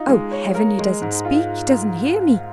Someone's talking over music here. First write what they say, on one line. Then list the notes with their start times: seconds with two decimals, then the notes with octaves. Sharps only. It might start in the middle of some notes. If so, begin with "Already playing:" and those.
Oh, Heaven! he doesn't speak--he doesn't hear me!
Already playing: D#4 F4
0.08 G#3
0.31 C#5
0.54 A#4
0.79 G#3
1.02 G#2
1.25 F4